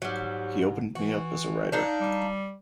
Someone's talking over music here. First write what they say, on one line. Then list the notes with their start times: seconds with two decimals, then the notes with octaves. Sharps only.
He opened me up as a writer.
0.02 G#2 F#3 G3
0.95 E3 F#4
1.72 D4 D#4 F5
2.01 G3